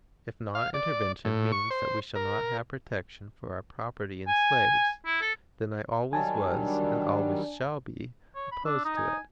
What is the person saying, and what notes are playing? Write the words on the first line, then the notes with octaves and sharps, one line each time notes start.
If non-intervention means that we shall not have protection for our property in slaves, then I always was, and always shall be, opposed to it.
F5
D5
A2
C#6
C5
A#4
G#5
E4
A4
D#3 F#3 G3 G#5 A5
D4
C#5
B5
D4 E6
D#4 D#5
G#5